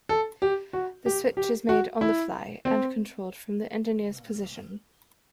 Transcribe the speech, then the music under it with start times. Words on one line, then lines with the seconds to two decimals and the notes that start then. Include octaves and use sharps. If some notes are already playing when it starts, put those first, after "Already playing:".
The switch is made "on the fly", and controlled from the engineer's position.
0.09 A4
0.42 G4
0.73 F#4
1.06 G4
1.37 G4
1.69 F#4
2.01 E4
2.65 C4